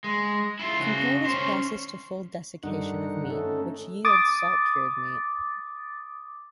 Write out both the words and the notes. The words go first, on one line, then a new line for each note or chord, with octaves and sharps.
Compare this process to full desiccation of meat, which yields salt-cured meat.
G#3
E4 F4
C#3 F#4
C#4 C5
G2 D3 D#3 D#4 F#5
A3 C#4 D#4 A4
D6 D#6 A6